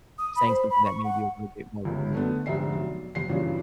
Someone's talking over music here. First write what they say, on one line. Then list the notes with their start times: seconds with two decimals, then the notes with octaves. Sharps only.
saying something that may be a little bit more rude
0.19 D#6
0.36 B5
0.48 C5
0.70 B5
0.85 C#6
1.04 F#5
1.85 G1 C#2
2.13 D3 A3 B3
2.46 F1 G#2 D3 E5 C7
2.75 B1
3.15 F#1 C7
3.30 G2 A#2 C#3 E3 F#3